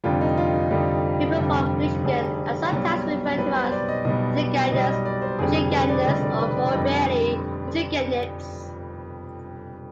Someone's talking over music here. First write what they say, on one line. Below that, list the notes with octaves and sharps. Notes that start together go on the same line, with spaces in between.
People from Michigan are sometimes referred to as Michiganders, Michiganians, or, more rarely, Michiganites.
F1 F2 D3 G3 F4
D#4
F4
D#4
F1 F2 D3 G3
F1 F2 D3 G3
F1 F2 D3 G3 G#4
B1 B2 G3
B1 B2 G3 B4
C5
D5
D#5
B1 B2 G3 D#5
B1 B2 G3 D#5
D#5
D5
C5
F1 F2 D3 G3 G#4
G#4
B4
D5
F1 F2 D3 G3 D#5
D5
B4
D5
F1 F2 D3 G3 D#5